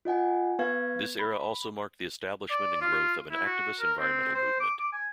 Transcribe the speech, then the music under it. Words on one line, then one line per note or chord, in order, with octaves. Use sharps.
This era also marked the establishment and growth of an activist environmental movement.
F4 D#5 F#5 G#5
B3 B4 F5 G#6
B5
D5
F4
E4
F#4
A#4
C4
C5
D6
D6
G#5